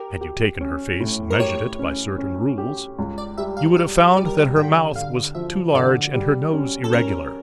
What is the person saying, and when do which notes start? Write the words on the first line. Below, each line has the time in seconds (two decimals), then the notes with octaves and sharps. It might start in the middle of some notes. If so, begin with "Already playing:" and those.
Had you taken her face and measured it by certain rules, you would have found that her mouth was too large and her nose irregular.
Already playing: G4 A#4
0.21 G4
0.61 C#4
1.00 A2
1.30 A#4
1.40 G4 C#5
1.79 C#4
2.18 C#4
2.58 G4
2.99 C#2
3.18 D5
3.38 G3 E5
3.57 F5
3.77 G3 F5
3.96 E5
4.17 G3 D5
4.26 A#4
4.37 C#5
4.56 D3 G5
4.95 D3 F5
5.35 F3 E5
5.74 D3 D5
6.14 G3
6.53 C#4
6.84 A4
6.93 C#4 A#4